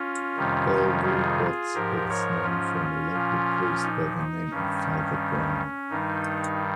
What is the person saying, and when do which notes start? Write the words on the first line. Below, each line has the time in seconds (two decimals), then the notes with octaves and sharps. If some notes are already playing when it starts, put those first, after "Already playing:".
Bellevue got its name from a local priest by the name of Father Browne.
Already playing: C#4 F4
0.37 F2 C3 D#3 G3
1.05 F4 G#4
1.74 G#2 F3 G4 A#4
2.09 A#4 C#5
2.44 C#4 F4
3.13 A#2 F3
3.83 D#4
4.17 D#4
4.51 G2 D#3 G3 C#4
5.90 G2 D#3 G3 D#4